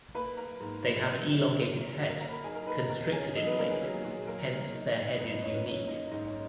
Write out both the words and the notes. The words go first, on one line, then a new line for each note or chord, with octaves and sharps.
They have an elongated head, constricted in places, hence their head is 'unique'.
A#3 B4 B5
A#3 A#4 A#5
G#2
A#3
C#3
F#3
C#3 A#4 A#5
F#3
A#3 F#4 F#5
A#4 A#5
A#3 A#4 A#5
B5
A#4 A#5
D#4 G#4 G#5
A#4 A#5
D#4 B4 B5
A#4 A#5
E2 A#4 A#5
C#4 G#4 G#5
F#3 D#4 D#5
B3 B4
D#3 A#3 A#4
G#4
F#3 G#4
G#4
A#2 F#4
G#4
F#3 A#3 A#4
F#3
D#4
D#4
F#2 B3 B4
D#4 D#5
F#2 C#4 C#5
B3 B4
A#3 C#4 C#5
A#3 D#4 D#5
G#2 D#4 D#5
C#4 C#5